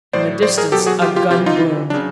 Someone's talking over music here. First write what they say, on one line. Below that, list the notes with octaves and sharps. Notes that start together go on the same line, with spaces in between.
In the distance a gun boomed.
A2 F#3 C5 D5
C5 D5
G#4 A#4
B2 F#3 G4 A4
F#4 G#4
F4 G4
F4 G4
C3 E3 F4 G4
D#4 F4
C#3 F#3 D4